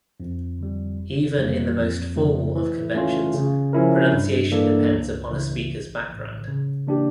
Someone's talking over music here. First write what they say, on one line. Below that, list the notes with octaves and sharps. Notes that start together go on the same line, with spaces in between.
Even in the most formal of conventions, pronunciation depends upon a speaker's background.
F2
D3 G3
G1
F2 E3 G3 A#3
F2
C#3 F3 A3
E3
A3 C#4 F4
C#3
F3 C#4 E4 A#4
G2
E3 A#3 D4 A4
C#2
C#3 E3
A#1
A2 E3
C#3
E3 A#3 D4 G4